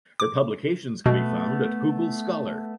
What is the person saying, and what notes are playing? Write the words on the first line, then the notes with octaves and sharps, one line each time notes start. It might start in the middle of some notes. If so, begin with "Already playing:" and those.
Her publications can be found at Google Scholar.
D6
B2 A3 B3